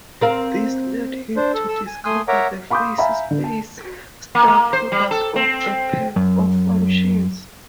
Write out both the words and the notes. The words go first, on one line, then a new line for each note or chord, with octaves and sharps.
This led him to discover the phase-space star-product of a pair of functions.
C4 A#4 F5
D4 C5
A4
A4 E6
G#5
A3 G#5 C6 D#6
A#4 C#5 E5 F#5 A#5 D6
F5 B5 C6 D6 D#6 G6
E5 F5 G#5 A#5 B5
D3
A5
A#3
A#3
C5
G3
A4
C4
F#2